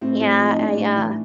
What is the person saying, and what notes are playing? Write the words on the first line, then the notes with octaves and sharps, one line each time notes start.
Yeah, I, uh
A2 C4
A2
F3
D#4
A2 D4
A2
E3